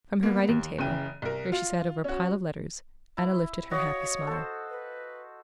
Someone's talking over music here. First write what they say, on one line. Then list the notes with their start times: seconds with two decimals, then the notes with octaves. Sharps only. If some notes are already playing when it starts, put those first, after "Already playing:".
From her writing-table, where she sat over a pile of letters, Anna lifted her happy smile.
0.23 A#3 B3
0.49 D#2
0.78 F#1 C#3 E3 G5 D#7
1.22 C2 A#4
1.52 F4
2.04 C#4 F#4
3.17 E4
3.71 F#4 C#5 D#5 F5
4.27 A4 C5
4.70 B4